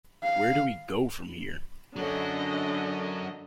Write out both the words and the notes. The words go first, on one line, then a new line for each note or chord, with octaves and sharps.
Where Do We Go from Here?
F5
D3 F#3 C#4 D#5